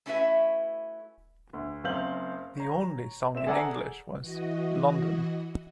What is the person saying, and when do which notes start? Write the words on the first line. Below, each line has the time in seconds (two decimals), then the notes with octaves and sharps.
The only song in English was "London".
0.06 A3 C#4 E4 F#4 B4 E5
1.53 D2
1.84 F#1 F#2 C4 F5 G6 F#7
2.57 C#5 A#5
3.35 C4 E5 E7
3.46 G#4 A4 D5 F#5 G#5 A#5
4.18 E3 F#4 D#5